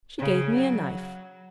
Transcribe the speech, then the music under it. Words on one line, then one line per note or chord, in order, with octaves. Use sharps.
'She gave me a knife.'
C#3
F#3